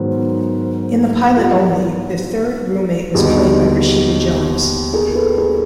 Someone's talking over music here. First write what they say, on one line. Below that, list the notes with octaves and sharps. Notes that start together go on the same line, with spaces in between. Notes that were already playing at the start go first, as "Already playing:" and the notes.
In the pilot only, the third roommate was played by Rashida Jones.
Already playing: G#2 D#3 F#3 B3 C5
F4 G4
D#2 D3 G3 B3 D#4 F#4 G#4
G#4 A#4
A4 B4
G#4 A#4